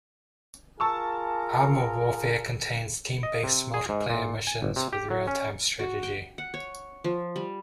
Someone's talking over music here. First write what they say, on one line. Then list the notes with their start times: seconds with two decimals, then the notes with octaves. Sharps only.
"ArmA Warfare" contains team-based multiplayer missions with realtime strategy.
0.80 F4 G#4 A#4 A5 C#6 E6
3.23 D#5
3.44 C3
3.74 G#4
3.89 G#2
4.10 A#2
4.47 G#5
4.62 G1
4.76 C3
4.93 G4
5.10 F#3
5.27 C#4
5.79 F#4
6.03 G5
6.38 F#5
6.54 C#5
7.04 F3
7.36 G3